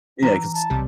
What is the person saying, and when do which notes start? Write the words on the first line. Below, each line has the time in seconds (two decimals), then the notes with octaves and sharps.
Yeah, 'cause
0.23 E3 A#5
0.54 A5
0.70 B1 C3 G3